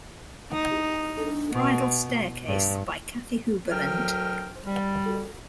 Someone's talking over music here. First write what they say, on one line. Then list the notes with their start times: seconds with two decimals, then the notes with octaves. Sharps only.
Bridal Staircase - by Kathy Huberland.
0.52 D#4
1.52 B2
2.46 G2
3.72 D2 F#3 A#4 G5 F6
4.66 G3